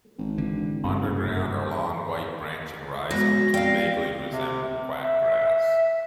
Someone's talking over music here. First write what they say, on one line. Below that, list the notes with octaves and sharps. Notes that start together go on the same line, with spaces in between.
Underground are long white branching rhizomes that vaguely resemble quackgrass.
G#1
D3 E3
F#1 G2 C3 A3
F#3 G#3 B3 F#4 A#6
F2 D5 F5 G5
C3
E5